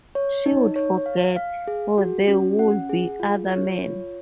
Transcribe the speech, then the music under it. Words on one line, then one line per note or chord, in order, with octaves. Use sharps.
She would forget, for there would be other men.
C#5
D#4
C#5
F5
F5
G#4
F#4
C#4
F#5
G#4
F4
C#5
F4